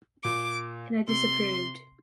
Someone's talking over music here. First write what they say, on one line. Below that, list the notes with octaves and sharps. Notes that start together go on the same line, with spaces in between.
And I disapproved.
A#2 D6
C3 C6